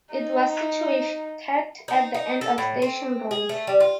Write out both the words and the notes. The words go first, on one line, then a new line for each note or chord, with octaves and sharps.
It was situated at the end of Station Road.
D#4
D#4
D#4
A4
A2
C4
G#4
A3
G3
F4